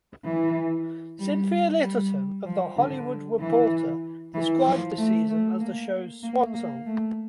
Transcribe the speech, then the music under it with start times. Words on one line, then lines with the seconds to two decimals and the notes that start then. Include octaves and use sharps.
Cynthia Littleton of "The Hollywood Reporter" described the season as the show's "swan song".
0.24 E3
1.19 G3
1.82 G3
2.46 F3
2.76 D3
3.39 E3
4.34 E3
4.66 F3
4.97 A3
5.28 A3
5.60 A#3
6.23 A#3
6.54 A#3
6.86 A3